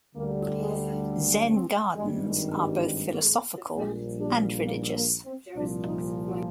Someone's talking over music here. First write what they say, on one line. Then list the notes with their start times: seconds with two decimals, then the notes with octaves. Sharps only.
Zen gardens are both philosophical and religious.
0.15 D2 D3 G3 A#3
0.60 G#3
1.50 C4
1.95 G#1 G2 D#3 G3 G#3
2.25 G#3
2.55 G3
3.75 A#1 A#2 G3 G#3
4.20 D4
4.65 A#3
4.94 A#3
5.25 C4
5.55 C2 A#2 F3 D4
5.84 D#4